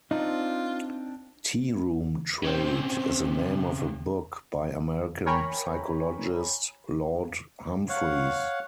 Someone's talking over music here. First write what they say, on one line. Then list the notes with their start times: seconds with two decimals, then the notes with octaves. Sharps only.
"Tearoom Trade" is the name of a book by American psychologist Laud Humphreys.
0.11 C4 D4 D#4 F4
2.45 C#3 C4
5.26 A#4 C#5 G5 G#5 A#5 B5
7.89 C#5 F5 F#5